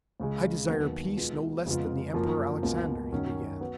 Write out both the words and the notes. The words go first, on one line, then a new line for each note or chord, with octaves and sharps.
"I desire peace, no less than the Emperor Alexander," he began.
C#2 C#3 G#3
D#2 D#3 F#3 B3
B2 G#3 B3 F4
F2 C#3 G#3 B3 F4
F#2 F3 A#3 F4
C#2 B2 A#3 F4
F#2 D#3 F#3 C#4
B3 F#4